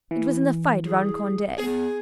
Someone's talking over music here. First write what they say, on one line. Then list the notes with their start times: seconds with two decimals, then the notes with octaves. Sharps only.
It was in the fight round Conde.
0.11 E3
0.86 G#4
1.58 B3 G#4